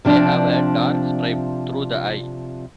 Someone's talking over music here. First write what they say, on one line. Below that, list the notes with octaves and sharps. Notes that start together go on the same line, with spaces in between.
They have a dark stripe through the eye.
C3 F3 D4